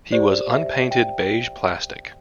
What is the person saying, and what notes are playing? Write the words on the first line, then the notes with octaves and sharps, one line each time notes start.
He was unpainted beige plastic.
G4 C5 D5
E5
G5